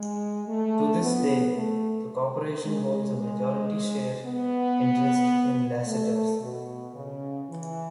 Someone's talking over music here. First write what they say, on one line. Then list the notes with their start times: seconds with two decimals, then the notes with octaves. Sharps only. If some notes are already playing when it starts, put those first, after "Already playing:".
To this day, the Corporation holds a majority share interest in Lassiter's.
Already playing: G#3
0.48 A3
1.01 B3
1.56 A3
2.64 G#3
3.18 G#3
4.25 B3
5.86 A3
6.41 B2
6.94 C#3
7.49 E3